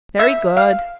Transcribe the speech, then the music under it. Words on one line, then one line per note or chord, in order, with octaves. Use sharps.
Very good.
E5
F5